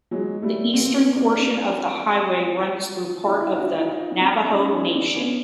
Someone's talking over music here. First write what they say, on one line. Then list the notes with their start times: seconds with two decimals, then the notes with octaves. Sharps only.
The eastern portion of the highway runs through part of the Navajo Nation.
0.11 F#3 G#3
0.42 G3 A3
0.73 A#3 C4
0.86 C4
0.95 B3 C#4
1.15 C4 D4
1.37 C4 D4
3.25 D4 E4
3.41 D4 E4
3.57 E4 F#4
3.72 D#4 F4
3.89 D#4 F4
4.20 C4 D4
4.51 C#4 D#4
4.73 C#4 D#4
4.93 C4 D4
5.14 B3 C#4